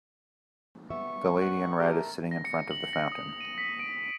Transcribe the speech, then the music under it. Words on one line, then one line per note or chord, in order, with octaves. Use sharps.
The lady in red is sitting in front of the fountain.
G3 B3 E5 C#6
F#5
A3 G4 A#4
A#6
C#7
F#7
A#6
D#6
D#7
B6
D7